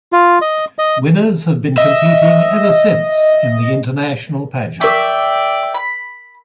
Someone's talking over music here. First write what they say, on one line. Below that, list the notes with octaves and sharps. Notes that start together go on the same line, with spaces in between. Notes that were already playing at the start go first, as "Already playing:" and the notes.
Winners have been competing ever since in the international pageant.
F4
D#5
D#5
D#5 E5
A#4 D5 E5 G5 C#6 D6
B5